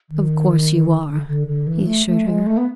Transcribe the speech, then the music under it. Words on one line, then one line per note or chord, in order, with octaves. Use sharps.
"Of course you are," he assured her.
D#3
D3
D3
D3
E3
A3
A3
G#3
A3
B3